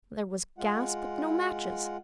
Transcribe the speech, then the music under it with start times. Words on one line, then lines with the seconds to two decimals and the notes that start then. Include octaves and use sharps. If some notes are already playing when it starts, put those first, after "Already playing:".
There was gas, but no matches.
0.58 G#3 F4 F#5